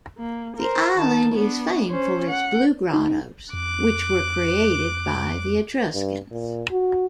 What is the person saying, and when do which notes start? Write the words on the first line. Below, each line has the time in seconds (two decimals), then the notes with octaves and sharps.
The island is famed for its Blue Grottoes, which were created by the Etruscans.
0.18 A#3
0.57 A#4 C5
0.97 D#3 A5
1.35 B3 D4
1.90 C#4 C5
2.30 F#5
2.93 D#4
3.53 F2 D6 F#6
5.94 G2
6.30 A#2
6.71 F#4